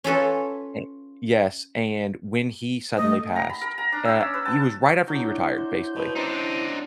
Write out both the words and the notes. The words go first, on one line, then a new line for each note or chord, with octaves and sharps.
E yes, and when he suddenly passed, uh, he was right after he retired, basically,
C#4 F4 A4 B4
A3 D#5
A#5
B5
A#4
A#5
D4
E6
C#4
B4
A5
F#3 D4 E4 G6
C5
B2 A5
C4 D4 D#4